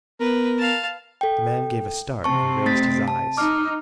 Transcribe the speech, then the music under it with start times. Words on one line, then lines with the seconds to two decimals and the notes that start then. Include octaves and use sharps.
The man gave a start and raised his eyes.
0.20 B3 A#4 B4
0.58 F5 A5
1.21 A4 G5
2.24 C3 C4 A5 C#6
2.66 A3 A6 B6
3.08 A5
3.37 D#4 D6 F6